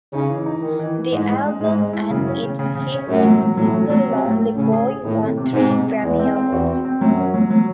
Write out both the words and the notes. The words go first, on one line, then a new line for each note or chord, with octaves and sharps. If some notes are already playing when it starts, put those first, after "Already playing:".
The album and its hit single "Lonely Boy" won three Grammy Awards.
C#3 D#4
E3
D#4
D#3 E3
E3
E3
G#2 G#3
G#3
G#3
G#2 G#3
G#3
E4
F#2 C#3
C#4
C#3
C#3
C#3
C#4
F#2 A2
F#3
F#3
A2 F#3
F#3
F#3
C3 C#4
A2
A2
A2 C#3
G#4
G#4
A2 D#3
C3
C3
G#2 C3
C3
G#3
E2 G#3
C4
C4
E2 F#4
C4
C4
F#2 F#3
C#4
F#3
F#3